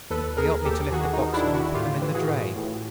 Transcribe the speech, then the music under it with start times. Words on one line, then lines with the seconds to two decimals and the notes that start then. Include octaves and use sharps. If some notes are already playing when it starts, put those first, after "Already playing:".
He 'elped me to lift the boxes and put them in the dray.
0.10 D#2 A4 B4
0.37 D#2 G#4 A#4
0.65 D#2 G4 A4
0.92 D#3 F#4 G#4
1.13 D#4
1.19 D#3
1.34 D4 E4
1.47 D#3
1.54 E4 F#4
1.74 A2 F4 G4
2.02 E3
2.14 F#4 G#4
2.28 A2
2.56 A2